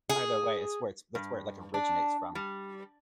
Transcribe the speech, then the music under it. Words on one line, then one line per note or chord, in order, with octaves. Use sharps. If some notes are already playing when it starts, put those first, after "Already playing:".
either way, it's where it's that's where it, like, originates from.
G#4
G2
D4
G3